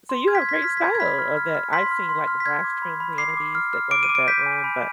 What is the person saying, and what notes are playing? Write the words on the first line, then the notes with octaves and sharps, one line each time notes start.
So you have great style of that. I've seen, like, uh, brass trimmed vanities that go in the bedroom, but
C6
F6 G#6
B6
G#6
F6 B6
G#6
F6 B6
G#6
B6
B5 G#6
G#6
B5 B6
F6
F6
F6
C6 B6
F6
C6
F6
B6
F6 G#6
D6
B5
B5
D6 C7
D6
F6
F6
D6 D7
D#7
D6
D7
G6 B6
G#5
B5